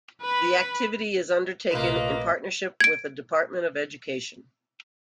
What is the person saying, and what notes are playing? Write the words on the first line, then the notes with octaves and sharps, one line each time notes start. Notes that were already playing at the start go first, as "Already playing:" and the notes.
The activity is undertaken in partnership with the Department of Education.
B4 B5
A#1 C3 A3 A#3 F4 A#4 B4 D#5
G#6 D7